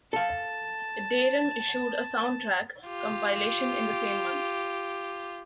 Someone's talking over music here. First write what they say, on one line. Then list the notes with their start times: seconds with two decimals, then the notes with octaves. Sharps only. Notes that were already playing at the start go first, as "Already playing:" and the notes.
Deram issued a 'soundtrack' compilation in the same month.
0.13 A4 F5 A5
2.86 F4 G4